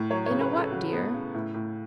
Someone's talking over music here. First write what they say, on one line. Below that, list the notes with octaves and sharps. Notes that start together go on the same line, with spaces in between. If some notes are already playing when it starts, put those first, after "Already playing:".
"In a what, dear?"
Already playing: A2
F#3 C#5
C#5
C#3
B4
C#3
A4
C#3 F#4
B3
C#3
A2 E4
A2